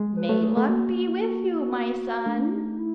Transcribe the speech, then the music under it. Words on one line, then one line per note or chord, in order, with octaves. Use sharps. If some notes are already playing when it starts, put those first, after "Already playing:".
'May Luck be with you, my son.
Already playing: G#3
B4
A3
G#4
A3
A#3 F#4
A3 D4
D#4
E4